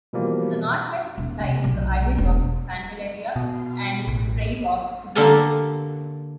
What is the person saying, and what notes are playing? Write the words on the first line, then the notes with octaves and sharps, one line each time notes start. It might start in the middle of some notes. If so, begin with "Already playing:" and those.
To the northwest lie the island of Pantelleria and the Strait of Sicily.
B2 E3 F3 G3 A#3
E1
C3
B1
E1
B2
A1
D3 A#3 G4 A4 A#4 A5